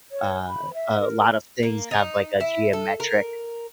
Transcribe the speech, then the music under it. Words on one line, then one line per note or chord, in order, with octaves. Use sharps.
uh, a lot of things have like a geometric,
C#5
B5
E5
A#4
A#3
D#4
E4
A4
A#4